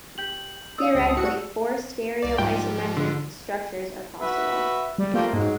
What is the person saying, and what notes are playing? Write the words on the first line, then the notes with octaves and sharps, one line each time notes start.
Theoretically, four stereoisomeric structures are possible.
G4 G6 F#7
D5 F5 D#6 E6
C#2 G4 D#5 A5
A2 F#4 C#7
C2 D5
G#2 F3 G3 G5
D3
F#4 B4 E5
G3
F3 A3 A#3 G4
G#2 F#3 G#3